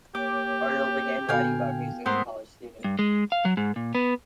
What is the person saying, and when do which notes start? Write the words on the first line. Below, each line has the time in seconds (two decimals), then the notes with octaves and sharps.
Arnold began writing about music as a college student.
0.15 A#3 G4 C#5 D6
1.29 A#2 D3 B3 F#4 A4 F5 G5 G#5
2.06 G#2 G#3 A3 B3 C4 A#4 C5
2.84 G2
2.99 G#3
3.32 F5
3.45 F#3
3.57 G#2
3.76 A#2
3.95 B3